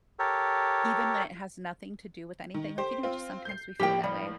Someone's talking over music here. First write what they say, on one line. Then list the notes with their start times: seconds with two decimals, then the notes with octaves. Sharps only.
even when it has nothing to do with anything, like, you know, just sometimes we feel that way?
0.19 G4 A4 A#4 C#5
2.54 D#3
2.78 G4 C5
3.03 C4 F4
3.45 G6 C7
3.80 A2 F3 A#3 G4 G5
4.04 G3